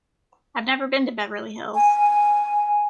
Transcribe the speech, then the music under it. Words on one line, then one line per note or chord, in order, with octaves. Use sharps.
I've never been to Beverly Hills.
G#5